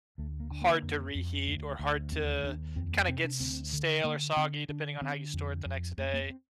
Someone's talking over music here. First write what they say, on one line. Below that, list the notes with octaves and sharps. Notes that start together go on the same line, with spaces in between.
hard to reheat or hard to kinda gets stale or soggy depending on how you store it the next day.
D2 A3
A#3
D3
A#3
F2
F2
D2
D2
D#2 C4
D#2 D4
F2 C4
A#3
C3 C4
D4
D2 C4
D3
D3 A#3
D3 C4
D3 D4
D3 C4
F2
F2
F2 A3
A#3
C4